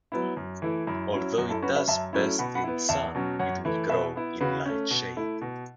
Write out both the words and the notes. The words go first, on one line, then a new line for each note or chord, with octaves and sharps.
Although it does best in sun, it will grow in light shade.
F#3 B3 E4
F#2
E3 A3 E4
F#2 E4
F#3 C#4 E4
F#2 F#4
E4 A4
F#3 C#4 F#4 B4
B4 E5
F#2 E5 A5
F#3 A3 C#4 E4
B2 F#5 B5
F#5 B5
B3 E4
E2 E5 A5
B2 F#3 C#4
F#2 C#5 F#5
E3 A3 E4
B2 B4 E5
B3 E4
C#3 F#4 B4
A3 C#4
B2
A3 E4
B2